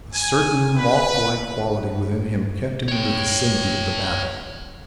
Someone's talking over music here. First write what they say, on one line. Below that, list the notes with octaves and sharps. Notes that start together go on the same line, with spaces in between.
A certain mothlike quality within him kept him in the vicinity of the battle.
G#5
B4
C#5 G5